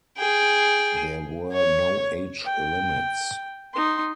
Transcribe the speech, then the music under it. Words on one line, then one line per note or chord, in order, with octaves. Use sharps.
There were no age limits.
G#4 G5
C#5
G5
D#4 C6